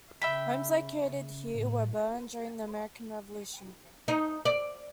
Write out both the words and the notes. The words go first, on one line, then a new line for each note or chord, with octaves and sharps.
Homes located here were burned during the American Revolution.
C#3 E5 G5 B5
A2
D#4
D5